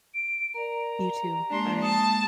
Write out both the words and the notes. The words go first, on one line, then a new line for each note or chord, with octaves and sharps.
You, too. Bye.
D7
A#4 D5 A#5
G4
G#3 A#3 D4 G4 C6
A5 D#6